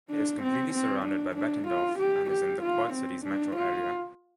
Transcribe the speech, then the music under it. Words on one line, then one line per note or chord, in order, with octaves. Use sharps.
It is completely surrounded by Bettendorf, and is in the Quad Cities metro area.
D4
C4
C4
D4
D4
F4
G4
G4
F4
C4
D4
F4